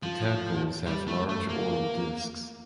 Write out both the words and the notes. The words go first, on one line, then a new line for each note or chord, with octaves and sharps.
The tadpoles have large oral discs.
F3
G3
A3
A3
A#3